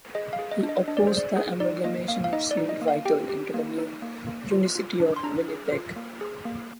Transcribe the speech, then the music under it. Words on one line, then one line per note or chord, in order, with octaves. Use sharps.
He opposed the amalgamation of Saint Vital into the new "unicity" of Winnipeg.
G#4 D#5
F5
G#4
D#5
D4
D#5
D4 D#5
D5
G#4 C5
D5
G#4
D#4 D5
A#3 D#5
A#3 F5
F5
D#4 D#5
D5
D#4
D#5
A#3
F5
G4 G5
G4
A#3
D#4
A#3
A#3
F4
F4
D4
C6
D4 A#5
G#4
F4
A#3
G#4
A#3